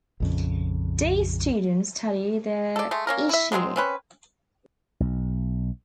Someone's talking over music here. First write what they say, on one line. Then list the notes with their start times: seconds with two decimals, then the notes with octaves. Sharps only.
D. students study there each year.
0.20 A#1 F2 C#3
2.76 A4 D5
2.91 G#3 A3
3.07 A#3 C#4 A#4
3.29 E4 E5
3.52 F#3 G#3 A#3 C4
3.76 C4 C#4 B4
5.00 B1